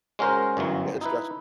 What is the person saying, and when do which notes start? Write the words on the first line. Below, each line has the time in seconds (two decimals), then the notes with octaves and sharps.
Yeah, that's stress
0.19 G#3 C#4 F#4 A#4 C5
0.57 G1 F#2 E3 F#3
1.01 D#4 E4 B4